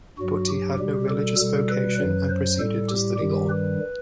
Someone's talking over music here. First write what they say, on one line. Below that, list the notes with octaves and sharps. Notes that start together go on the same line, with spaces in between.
But he had no religious vocation and proceeded to study law.
G2 F#3 F#4
G4
B2 G3 G4
A4
B2 G3 A4
B4
F#2 F#3 B4
C5
A2 G3 A4
G4
G2 D#3 G3 G4
B4